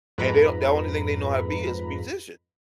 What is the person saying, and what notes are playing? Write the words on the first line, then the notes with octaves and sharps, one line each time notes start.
and they don't the only thing they know how to be is musicians,
F2 G#2 B4 A#5 B5